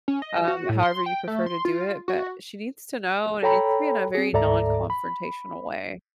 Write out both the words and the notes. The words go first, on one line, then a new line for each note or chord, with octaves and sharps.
um, however you prefer to do it, but she needs to know, and it needs to be in a very non-confrontational way.
C#4
D#5
F#4
A2
C6
G5
A3
C6
F4
F#4
A4 C#5 G5 A#5 B5
C4 G#4
D2 G#2 A4 D5 E5 A#5
B5